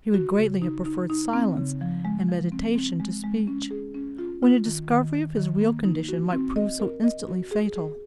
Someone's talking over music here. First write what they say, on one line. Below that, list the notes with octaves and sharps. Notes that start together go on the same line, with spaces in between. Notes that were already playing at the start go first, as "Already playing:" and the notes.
He would greatly have preferred silence and meditation to speech, when a discovery of his real condition might prove so instantly fatal.
F#4
C#3
D#4
D#4
D#4
C4
C#3
F3
G#3
F3
C4
C4
G#3
G#3
C#4
G#4
C#4
F4
F4
D#3
D#3
D#3
D#3
A#3
D#4
F#4
C4
D#5
A#4
D#5
F#4
G#4
G#4